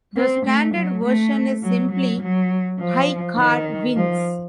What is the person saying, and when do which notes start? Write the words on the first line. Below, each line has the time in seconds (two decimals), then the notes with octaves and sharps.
The standard version is simply high card wins.
0.16 C4
0.46 A3
0.75 F#3
1.04 A3
1.62 F#3
1.91 F#3
2.21 F#3
2.79 F3
3.38 D#3
3.96 F3